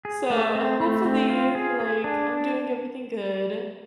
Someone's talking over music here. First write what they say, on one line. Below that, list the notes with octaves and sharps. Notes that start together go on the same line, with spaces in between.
so, hopefully, like, I'm doing everything good.
G#4
A3
C4
A3
C4
F4
G#4
G#4
D4